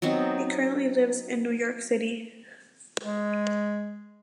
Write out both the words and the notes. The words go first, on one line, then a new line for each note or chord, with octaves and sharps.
He currently lives in New York City.
F#3 B3 C4 D#4
G#3